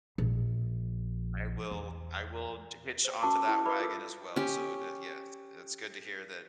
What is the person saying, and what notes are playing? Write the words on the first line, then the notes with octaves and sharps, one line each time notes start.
I will I will t hitch onto that wagon as well so, the Yes, it's good to hear that
A#1
E2
C5 G5
C#4 F#4 A#4 A5 C#6 D6
E4 G4 G5 A5
A#4 B4 D5 E5 B5 D6
F4 A4 A#4 D#6
C#4 G4